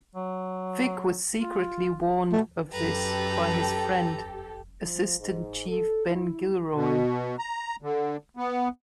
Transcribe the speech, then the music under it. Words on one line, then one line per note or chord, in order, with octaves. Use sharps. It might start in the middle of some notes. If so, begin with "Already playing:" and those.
Vic was secretly warned of this by his friend, Assistant Chief Ben Gilroy.
F#3
F4
B2 A3
F#2 G4 A4 B4 A#5
F3
G#2
A4
E4
B2
A#5
D3
B3